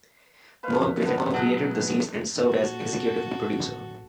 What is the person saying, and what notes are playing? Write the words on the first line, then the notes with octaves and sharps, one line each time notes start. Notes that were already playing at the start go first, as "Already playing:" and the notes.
Merv Griffin created the series and served as executive producer.
B4 C5 F5
F3 C#4 A#4
E2 B3 A5
B2 F#3 A3 E4 G#4 A4 F#5
A#2 F#4 A4
A1